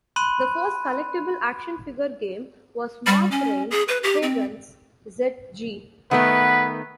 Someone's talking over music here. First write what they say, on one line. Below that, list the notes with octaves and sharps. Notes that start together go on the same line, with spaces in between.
The first collectible action figure game was Mark Rein-Hagen's Z-G.
B5 C6 F#6 D#7
G3
C#4
G#4
B4
G4
C4
D#3 A3 B3 B4 F#5